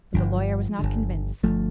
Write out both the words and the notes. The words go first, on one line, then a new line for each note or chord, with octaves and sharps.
But the lawyer was not convinced.
G1 G2 D3 F3
G1 G2 D3
G1 D3 F3 A3